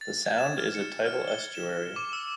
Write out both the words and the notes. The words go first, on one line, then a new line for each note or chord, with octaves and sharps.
The sound is a tidal estuary.
A6
G#6
E7
F6
C#7
F6
G7
E7
D6
E6